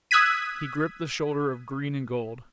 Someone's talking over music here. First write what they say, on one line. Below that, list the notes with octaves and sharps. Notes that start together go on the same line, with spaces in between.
He gripped the shoulder of green and gold.
D#6 E6 F#6 G#6 B6 D#7